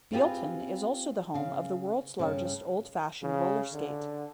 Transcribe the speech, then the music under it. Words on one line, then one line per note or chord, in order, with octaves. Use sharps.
Bealeton is also the home of the world's largest old-fashioned roller skate.
C4 F4 G4 G#4 B4
C#3 F5
G2 C#3
C#3
D3